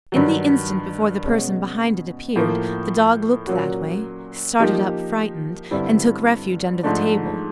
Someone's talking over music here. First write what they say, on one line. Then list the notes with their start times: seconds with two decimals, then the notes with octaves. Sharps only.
In the instant before the person behind it appeared, the dog looked that way--started up, frightened--and took refuge under the table.
0.12 G2 D#3 F#3
1.24 B2 G#3 C#4
2.36 A2 F3 A#3
3.47 A#2 F#3 A#3 C#4 F#4
4.59 F3 A#3 D#4 G4
5.71 G2 D3 G3 C4 E4
6.83 G#2 F3 A3 D4